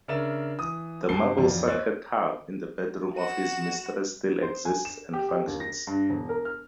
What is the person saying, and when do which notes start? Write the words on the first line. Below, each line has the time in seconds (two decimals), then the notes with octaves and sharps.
The marble sunken tub in the bedroom of his mistress still exists and functions.
0.08 C#3 D4 A#4 E5 A6 E7
0.59 E3 D#6
1.09 G2 A5 C7 G7
1.37 A1 F2 F4 D5
1.67 C5 C#5 D#5 E6 F#6 A6
3.16 F#4 E7
4.42 C5
4.65 G#5
4.85 E7
5.13 G4
5.29 G4
5.47 D#2
5.60 A#6
5.87 G2
6.10 E1
6.29 A#4
6.45 F6